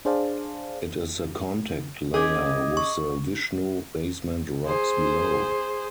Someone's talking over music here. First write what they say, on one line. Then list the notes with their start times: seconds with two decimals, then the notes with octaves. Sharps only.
It is the contact layer with the Vishnu Basement Rocks below.
0.05 D4 G#4 C5 D5 F5 A5
2.14 C#4 G4 G#4 D#5 D6 G#6
2.77 C#6
4.66 G#4 C5